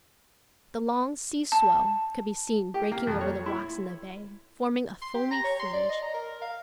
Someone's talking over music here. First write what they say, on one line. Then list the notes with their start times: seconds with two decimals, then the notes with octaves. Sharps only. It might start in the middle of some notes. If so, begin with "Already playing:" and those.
The long sea-swell could be seen breaking over the rocks in the bay, forming a foamy fringe.
1.52 A5
2.74 G4
2.92 A#3
3.07 F2
3.21 C#5
3.46 E4
5.02 C6
5.14 G4
5.31 A#5
5.44 C#5
5.59 C6
5.73 D5
5.89 D#5
6.02 A#5
6.14 A#4
6.41 F5